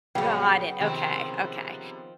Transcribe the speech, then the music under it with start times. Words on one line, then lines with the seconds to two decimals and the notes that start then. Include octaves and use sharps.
Got it. Okay, okay.
0.15 A#1 C#3 F#3 B3 A4 F5 G5
0.81 C3 D#3 F3 C4